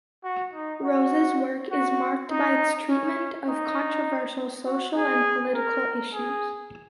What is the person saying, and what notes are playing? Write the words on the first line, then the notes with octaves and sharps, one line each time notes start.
Rose's work is marked by its treatment of controversial social and political issues.
F#4
D#4
F#4
F#4
D#4
C#4
D#4
F#4
G#4
A#4
G#4